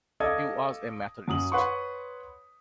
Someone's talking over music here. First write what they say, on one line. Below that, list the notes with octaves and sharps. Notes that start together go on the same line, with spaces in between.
He was a Methodist.
A4 D5 D#5 F5 D#6 G#6
F#2 F#3 D#6 F#7
B4 C#5 F#5 C6 C#6